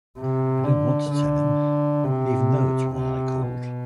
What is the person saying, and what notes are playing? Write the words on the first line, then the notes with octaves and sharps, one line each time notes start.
I don't want to tell him, even though it's why I called.
C3
D3
D3
C3
C3
B2